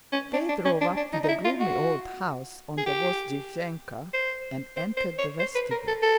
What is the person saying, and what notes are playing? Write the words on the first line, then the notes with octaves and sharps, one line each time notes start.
They drove up to the gloomy old house on the Vozdvizhenka and entered the vestibule.
C#4
D4
D4
C#4
D4
D4
D#4
D#4
E4
F4
F#4
G#4
G4
C5
C5
C5
C#5
C5
B4
A#4
A4
A4